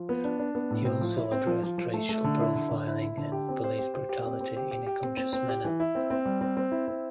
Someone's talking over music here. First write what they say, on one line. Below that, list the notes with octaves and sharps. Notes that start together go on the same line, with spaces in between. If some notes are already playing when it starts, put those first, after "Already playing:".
He also addressed racial profiling and police brutality in a conscious manner.
Already playing: F3
B3
D4
D4
B3
A2
C4
F3
E4
C4
F3
F3
F3
A3
A3
D3
E4
D3
D3
E4
E4
D3
G4
C4
C5
G4
C5
G4
C4
C4
G4
G4
G4
C4
C4
C4
G4
E3
E4
C4
C4
G3
C4
C4
E4
C4